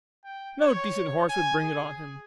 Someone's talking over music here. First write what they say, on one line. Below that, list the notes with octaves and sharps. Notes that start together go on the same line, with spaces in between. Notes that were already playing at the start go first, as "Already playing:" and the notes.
No decent horse would bring it on him.
G5
C#5
G#5
G#4